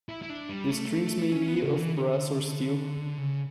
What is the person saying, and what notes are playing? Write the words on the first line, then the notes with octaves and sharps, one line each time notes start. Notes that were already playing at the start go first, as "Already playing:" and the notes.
The strings may be of brass or steel.
E4
E4
D4
G3
A3
C#4
B3
C#3
E3
D3
C#3